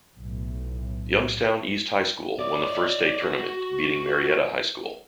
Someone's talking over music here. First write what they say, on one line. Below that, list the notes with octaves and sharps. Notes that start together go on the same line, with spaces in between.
Youngstown East High School won the first state tournament, beating Marietta High School.
B1 A2
C#5 D5
F#4